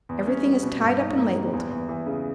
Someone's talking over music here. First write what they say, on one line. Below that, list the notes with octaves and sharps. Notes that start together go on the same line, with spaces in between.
Everything is tied up and labelled.
E2
C#4
G3
B2
G2
D#4
A#3
G3
E2
E2
E3
C#3